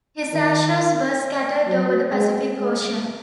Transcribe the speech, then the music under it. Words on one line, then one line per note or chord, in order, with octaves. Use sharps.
His ashes were scattered over the Pacific Ocean.
D#3
F#3
G#3
G#3